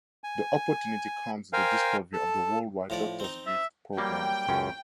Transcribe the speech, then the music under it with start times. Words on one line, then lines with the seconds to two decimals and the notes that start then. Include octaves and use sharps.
The opportunity comes with the discovery of the worldwide "Doctor's Gift" program.
0.24 G#5
1.53 A#4 C5 F5 G5 G#5
2.13 A4 A5
2.90 A2 F3 D5
3.20 C4 D#4
3.47 E5
3.97 F#3 G3 A#3 G5
4.49 C#2 F#2 C#4